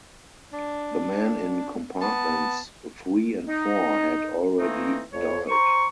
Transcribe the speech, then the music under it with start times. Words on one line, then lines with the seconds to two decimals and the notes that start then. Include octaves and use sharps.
The men in compartments three and four had already died.
0.53 D4
2.02 B3 A5
3.47 D#4
4.58 E3 A3 A#3 C4 D#4
5.12 F2 C#5
5.48 C5 A#5 C#6